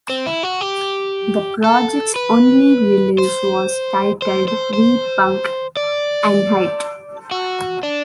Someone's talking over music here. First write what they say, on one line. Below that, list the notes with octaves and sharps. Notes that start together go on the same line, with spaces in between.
The project's only release was titled We Punk Einheit!
C4
E4
F#4
G4
A4
B4
C5
C5
C5
C5
D5
F#4
D4